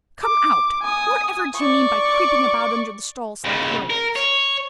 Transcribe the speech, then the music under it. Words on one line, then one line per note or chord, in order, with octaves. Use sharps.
'Come out! whatever do you mean by creeping about under the stalls, like earwigs?'
D6
G#5 D#6
D5 C#6
D#2 C#3
A#4
C#5